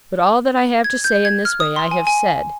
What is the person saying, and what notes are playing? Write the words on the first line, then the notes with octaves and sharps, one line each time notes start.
But all that I have to say in this way, I have said.
G#6
G6
G#6
F6
D#6
C6
G#5
G#5